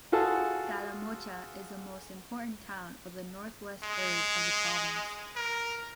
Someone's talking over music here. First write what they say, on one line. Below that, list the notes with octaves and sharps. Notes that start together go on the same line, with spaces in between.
Calamocha is the most important town of the Northwest third of the province.
F4 F#4 G#4 A4 A5
G#3
A#4